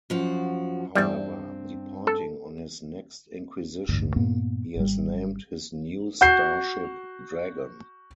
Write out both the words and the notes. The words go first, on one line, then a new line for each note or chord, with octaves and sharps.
However, departing on his next Inquisition, he has named his new starship "Dragon".
F#2 F3 F#4
E2 G2 G3 C4
A4
A1 D2 G2
G2 A#2 A#3 B3
G#1 G3
F#4 G6 C7